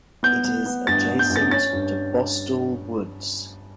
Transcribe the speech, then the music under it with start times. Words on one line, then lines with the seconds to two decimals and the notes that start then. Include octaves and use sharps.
It is adjacent to Bostall Woods.
0.23 B3 G6
0.45 B3
0.66 B3
0.87 G2 A6
1.09 B3
1.19 G6
1.30 G2
1.36 A6
1.51 C#4 A6
1.73 G2